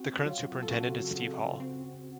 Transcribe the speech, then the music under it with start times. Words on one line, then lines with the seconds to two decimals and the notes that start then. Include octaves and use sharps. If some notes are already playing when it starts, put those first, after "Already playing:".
The current superintendent is Steve Hall.
Already playing: C4 F#4
0.26 F#3 F4
0.62 A4
0.70 C#3 F#4
1.15 C#3
1.60 C4